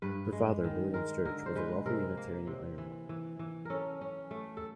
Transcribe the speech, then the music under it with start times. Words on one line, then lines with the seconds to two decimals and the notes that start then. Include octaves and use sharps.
Her father, William Sturch, was a wealthy Unitarian ironmonger.
0.02 G2 B4
0.32 G#3
0.64 D#3
0.94 G#3 A#4
1.25 D3 A#4
1.46 C5
1.55 G#3 B4
1.86 C3 A#4
2.17 A#3
2.47 C3
2.78 E3
3.09 E3
3.39 E3
3.65 C#4 A4 A#4
4.01 C#4
4.31 A3
4.57 A4